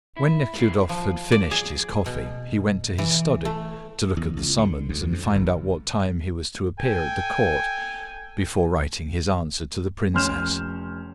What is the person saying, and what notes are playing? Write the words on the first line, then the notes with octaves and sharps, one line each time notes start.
When Nekhludoff had finished his coffee, he went to his study to look at the summons, and find out what time he was to appear at the court, before writing his answer to the princess.
E4
G2 E3 F5
F3
D5
G#4
B2
E3
A3
E2
C#2
D3
D2
F2
G1
A4 G5 G#5
F1 C#4 C6 F6 G6 E7